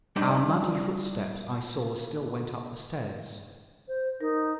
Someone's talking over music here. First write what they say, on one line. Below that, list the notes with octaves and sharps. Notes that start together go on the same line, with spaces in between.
Our muddy footsteps I saw still went up the stairs.
G3 D4 D#4 D5 G5
C5
D#4 A#4